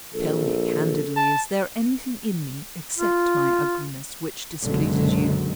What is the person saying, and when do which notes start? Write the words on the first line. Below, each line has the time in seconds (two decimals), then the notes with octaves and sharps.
Tell me candidly, is there anything in me, except my ugliness, which displeases you?
0.13 A#1 A4
1.16 A5
2.98 F4
4.63 F#1 B1 F#2 D3 F#3 G#3